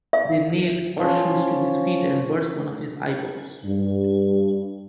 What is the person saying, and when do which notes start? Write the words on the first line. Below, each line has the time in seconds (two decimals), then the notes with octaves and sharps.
They nailed horseshoes to his feet and burst one of his eyeballs.
0.13 E5
0.99 F3 C#4
3.65 G2